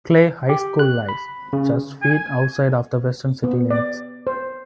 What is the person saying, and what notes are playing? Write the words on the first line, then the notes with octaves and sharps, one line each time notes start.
Clay High School lies just feet outside of the western city limits.
G4
F#6
B5
C#3
G#5
B3
D5
C5